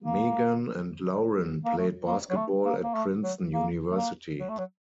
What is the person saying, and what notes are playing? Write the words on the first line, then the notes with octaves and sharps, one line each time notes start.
Meagan and Lauren played basketball at Princeton University.
A#3
A#3
A3
A#3
F#3
A3
A#3
A#3
A3
F#3
A#3
A3
A#3
F#3
A3
F#3